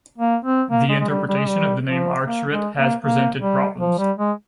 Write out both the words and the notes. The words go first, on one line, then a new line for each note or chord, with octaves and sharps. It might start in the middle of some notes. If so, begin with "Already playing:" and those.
The interpretation of the name Arthuret has presented problems.
A#3
C4
A#3
G#3
G#3
G3
G3
G#3
G3
F3
A#3
G#3
A#3
A#3
G3
F3
G3
G#3